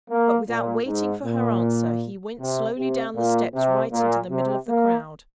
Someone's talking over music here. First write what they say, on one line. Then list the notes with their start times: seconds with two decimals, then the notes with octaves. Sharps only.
But without waiting for her answer, he went slowly down the steps right into the middle of the crowd.
0.10 A#3
0.49 A#2
0.86 G#2
1.25 A#2
2.40 C3
2.77 C3
3.16 A#2
3.54 C3
3.92 A#2
4.30 C3
4.69 A#3